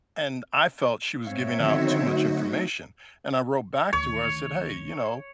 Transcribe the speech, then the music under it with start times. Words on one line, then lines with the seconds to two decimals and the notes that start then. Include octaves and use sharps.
and I felt she was giving out too much information, and I wrote back to her. I said, "Hey, you know,
1.27 G#2 C4 C#5 E5 F5
1.59 D3 D#3 F3 B3 D#4 F#4
2.03 F#3 A3
3.93 D2 D#3 C#5